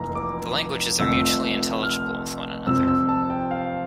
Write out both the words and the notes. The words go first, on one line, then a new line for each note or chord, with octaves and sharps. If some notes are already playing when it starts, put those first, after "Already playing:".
The languages are mutually intelligible with one another.
Already playing: F1 F2 E3 A#3 F4 A#5
D6
F1 F2 D3 A3 E6
F6
F2 C3 F3 C4 E6
E6
A5
G5
F5